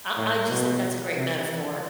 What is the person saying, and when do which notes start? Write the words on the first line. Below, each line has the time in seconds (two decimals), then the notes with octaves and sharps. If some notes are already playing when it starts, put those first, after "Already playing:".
I I just think that's a great metaphor
0.17 A2
0.49 B2
1.16 C3
1.50 E3